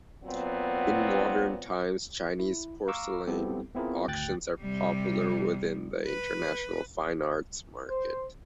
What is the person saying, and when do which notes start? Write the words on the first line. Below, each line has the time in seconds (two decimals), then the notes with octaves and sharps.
In modern times, Chinese porcelain auctions are popular within the international fine arts market.
0.23 A#2 F#3 B3 C4
2.39 E4
2.88 F5 A#5 C#6 D6 E6
3.27 G3 B3 C4 E4 G4 A4
3.75 B3 C4 E4 F4 G#4 A#4
4.07 G#1 D2 G5 F#6 A6
4.60 C3 G3
6.06 B4
7.89 C5